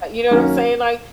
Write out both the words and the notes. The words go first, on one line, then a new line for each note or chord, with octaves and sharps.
you know what I'm saying, like,
F#2 D#3 A#3 C#4 F#4